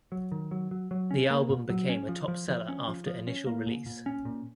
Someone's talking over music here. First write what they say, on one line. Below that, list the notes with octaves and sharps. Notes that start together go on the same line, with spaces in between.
The album became the top seller after initial release.
F#3
D#3
F#3
F#3
F#3
C#4
A#3
A#2
F#3
C#4
F3
F3
F3
C#4
F3
F3
C#4
A#3
A#2
A#2
C#4
A#2